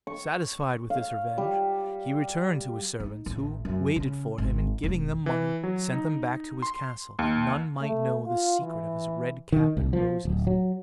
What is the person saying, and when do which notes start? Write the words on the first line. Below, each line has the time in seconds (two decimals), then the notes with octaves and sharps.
Satisfied with this revenge, he returned to his servants, who waited for him, and giving them money, sent them back to his castle, that none might know the secret of his red cap and roses.
0.07 C#6
0.90 F5
1.38 G3
3.00 D#4
3.26 A1
3.65 F#2
3.96 C#3
4.38 G#1
4.84 E1
5.26 E3
5.63 F#3
5.93 D#4
6.62 C6
7.19 D#2
7.81 A3
8.26 F4
8.61 E3
9.52 D#3
9.77 C2
9.93 F3
10.25 D1
10.47 F#3